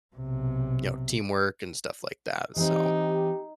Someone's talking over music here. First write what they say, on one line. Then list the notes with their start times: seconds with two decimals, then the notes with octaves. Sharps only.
you know, teamwork and stuff like that, so,
0.16 B1 C3
2.56 E3 C4 D#4 G4